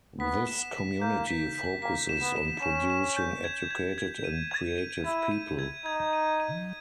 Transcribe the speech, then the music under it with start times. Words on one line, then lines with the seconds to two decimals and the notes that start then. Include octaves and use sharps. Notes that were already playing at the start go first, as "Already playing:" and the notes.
This community focuses on producing educated and creative people.
0.20 B3 B6
0.47 E7
0.74 B6
1.00 A#3 G6
1.27 B6
1.55 B6
1.82 A#3 B6
2.09 E7
2.22 B3
2.36 E7
2.63 C#4 E7
2.90 E7
3.16 G6
3.44 G#6
3.71 G#6
3.98 G#6
4.24 D#7
4.51 G#6
4.78 D#7
5.04 E4 G#6
5.31 D#7
5.59 G#6
5.85 D#4 G#6
6.13 D#7
6.40 D#7